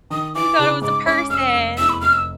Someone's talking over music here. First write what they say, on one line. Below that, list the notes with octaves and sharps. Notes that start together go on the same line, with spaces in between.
he thought it was a person.
D#3 D#6
E3 D6
C#3
G#2 D6
C#4 D6
F1 E6 F6
F1
E2 E6
B5
F1 F6
E6